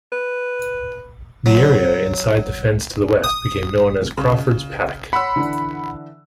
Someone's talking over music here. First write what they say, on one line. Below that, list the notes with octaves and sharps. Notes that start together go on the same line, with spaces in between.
The area inside the fence to the west became known as "Crawford's Paddock".
B4
F#3
D#6
C#3
C#5 F#5 B5 C6 E6
D3 E3 D4